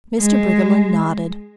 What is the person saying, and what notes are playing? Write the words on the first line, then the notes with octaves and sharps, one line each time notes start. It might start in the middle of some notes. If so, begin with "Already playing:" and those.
Mr. Briggerland nodded.
G#3